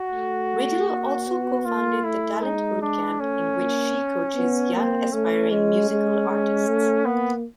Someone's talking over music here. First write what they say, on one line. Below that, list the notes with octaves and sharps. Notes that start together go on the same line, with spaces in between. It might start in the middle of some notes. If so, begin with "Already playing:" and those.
Ridel also co-founded the Talent Bootcamp, in which she coaches young aspiring musical artists.
Already playing: F#4
A3
A#3
B3
A#3 F4
A3 E4
G#3 D#4
D4
A3 C#4
A#3
B3
A#3 C4
A3 C#4
G#3 C#4
G#3
G#3
A3
A#3 B3